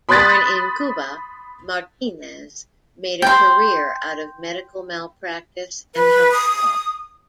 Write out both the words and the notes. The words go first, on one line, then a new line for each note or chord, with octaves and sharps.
Born in Cuba, Martinez made a career out of medical malpractice and health law.
B5 C6 D#6 F#6 A6 B6
G5 C6
B4
D#6